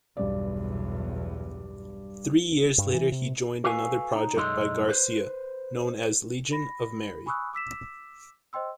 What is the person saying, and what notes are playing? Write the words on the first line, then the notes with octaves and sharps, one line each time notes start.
Three years later he joined another project by Garcia known as Legion of Mary.
B1 E2 G2 D5
G2
E3
C3
F#4 A4 B4 F5 G#5
D#4
B1 F#2 G#3 D#4 A4 C6
B4 C5
B5 A#6
G#5 B5 C#6 D#6 E6 F#6
D6 E6 B6 E7
C5 D#5 G5 C6 E6